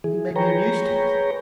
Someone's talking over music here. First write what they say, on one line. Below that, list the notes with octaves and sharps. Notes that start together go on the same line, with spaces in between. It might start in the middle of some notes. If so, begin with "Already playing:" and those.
"But he may be of use to us."
E3 G#4
G#4 B4 C#5 G5 A#5